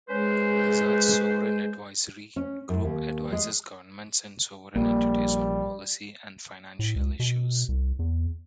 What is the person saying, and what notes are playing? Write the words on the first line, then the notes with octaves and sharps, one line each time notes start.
Lazard's Sovereign Advisory group advises governments and sovereign entities on policy and financial issues.
G#3 C#4 B4 C5
C#4
F#2
D#2
G#3
A#1 G3 A#3
A2
C#2
B2
C2
E2